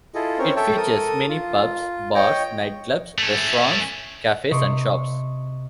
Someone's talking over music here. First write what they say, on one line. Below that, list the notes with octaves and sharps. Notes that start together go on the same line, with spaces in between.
It features many pubs, bars, nightclubs, restaurants, cafes and shops.
E4 F4 G#4 A4 D#5
C4 C#4 A#4 C#5
A4 C#5 E5 G5 A5
A4 A#4 D#6
F4
C#5 D#5 G5
A3 C#4
C3 D#5 C6 C#6 D7